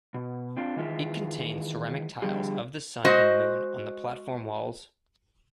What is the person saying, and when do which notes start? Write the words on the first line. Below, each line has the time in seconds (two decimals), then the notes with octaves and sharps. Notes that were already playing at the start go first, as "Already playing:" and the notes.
It contains ceramic tiles of the sun and moon on the platform walls.
0.14 B2
0.57 C4 D4 F4
0.76 D#3 E3 G#3 F4 E5
2.22 D3 F3 G3 G4 G#4
3.05 G#3 F#4 C5 D#5